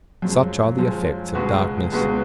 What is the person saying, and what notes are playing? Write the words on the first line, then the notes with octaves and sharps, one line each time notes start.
Such are the effects of darkness.
F#2 F3 G#3
F#2 F3 G#3
C#2 B2 G#3 B3 F#4
C#2 B2 G#3 B3 F#4